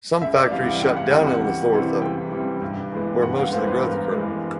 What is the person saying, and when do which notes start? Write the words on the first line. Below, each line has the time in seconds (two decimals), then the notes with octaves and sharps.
Some factories shut down in Lesotho, where most of the growth occurred.
0.21 C#2 E5
0.36 D5
0.51 C3 E3 G3 F5
0.66 F#5
0.81 C#2 G5
0.96 F#5
1.11 C3 E3 G3 G5
1.27 F#5
1.42 C#2
1.71 C3 E3 G3
2.01 C#2 G5
2.31 C3 E3 G3
2.62 G2
2.92 E3 G#3 B3
3.22 G2 F#5
3.37 F5
3.52 E3 G#3 B3 C5
3.67 B4
3.82 G2 A#4
4.12 E3 G#3 B3